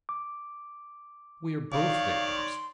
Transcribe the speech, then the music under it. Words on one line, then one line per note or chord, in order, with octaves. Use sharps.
We are both victims.
D6
D#3 C#5 D5 F5
C6